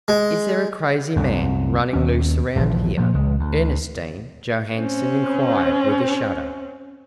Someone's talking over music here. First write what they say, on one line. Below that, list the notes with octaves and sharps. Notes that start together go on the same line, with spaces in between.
"Is there a crazy man running loose around here?" Ernestine Johanson inquired with a shudder.
G#3
C2 F#2
D#2 C#4
D#1 A#1 E3 F3
G2 A#2 F3
C#2 G#3
D2
C4 C#4